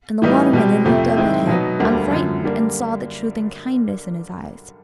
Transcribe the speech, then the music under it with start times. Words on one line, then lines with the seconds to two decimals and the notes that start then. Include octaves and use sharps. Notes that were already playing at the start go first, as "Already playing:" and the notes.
And the Water-midden looked up at him unfrightened, and saw the truth and kindness in his eyes.
0.22 A2 E3 G3 B3 D#4
0.53 B2 G3 C4
0.85 F2 C3 F3 A3 C4
1.17 G#2 D#3 G#3 C4 E4
1.47 B2 F#3 B3 D#4
1.80 E1 D2 D3 G3 A#3
2.11 F#2 D3 F3
2.43 D3 G3 A#3 D4